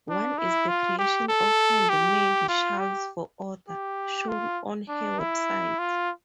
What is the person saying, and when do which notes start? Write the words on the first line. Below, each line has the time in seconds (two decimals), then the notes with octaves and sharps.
One is the creation of hand-made shawls for order, shown on her website.
0.09 D4
0.38 E4
0.68 F4
0.99 G4
1.28 A4
1.89 G4
2.48 F4
2.79 G4
3.68 G4
4.28 F4
4.88 D4
5.19 E4
5.79 F4